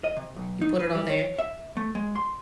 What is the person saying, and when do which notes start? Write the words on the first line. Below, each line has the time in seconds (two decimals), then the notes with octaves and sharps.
you put it all there,
0.04 D#5
0.17 C3
0.36 B1
0.61 D#4
0.79 B4
0.95 G3
1.10 C#5
1.38 E5
1.77 A3
1.95 G#3
2.16 C6